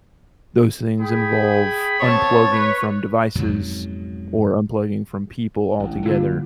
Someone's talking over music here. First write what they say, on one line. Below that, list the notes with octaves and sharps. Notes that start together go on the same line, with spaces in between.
those things involve, unplugging from devices, or unplugging from people altogether,
G#4 G5 B5
B3 C4 C#5 A5
B4
F2 G#2 B2 F#3
A1
D3 G3 A#3 F4